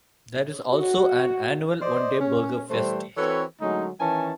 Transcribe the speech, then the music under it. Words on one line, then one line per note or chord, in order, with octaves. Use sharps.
There is also an annual one-day Burger Fest.
F#4
C5 D5 D#5
C#4
E3 G3 A3 C5
E3 C4 F#4 A4 B4 C#5
D3 F#3 G#3 A3 C#4 D#4
D#3 E3 C#4 G#5 A5